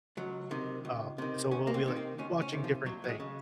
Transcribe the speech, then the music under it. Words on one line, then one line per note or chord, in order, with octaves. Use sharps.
um, so we'll be, like, watching different things,
C#2 F#3
C3 D#3
C#2
C3 D#3
C#2 C#4
A#3
C4
C3 D#3
C4
C#2 C#4
C#4
C3 D#3
F3
D#2 F#3
F#3
G#3
C#3